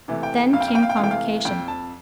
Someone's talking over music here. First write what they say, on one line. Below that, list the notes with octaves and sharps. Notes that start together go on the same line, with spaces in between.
Then came Convocation.
C3 E3 A3
G5
F2 F5
G5
F5
G5
F5
G5
F5
C3 E3 A3 G5
F5
F2 G5
A5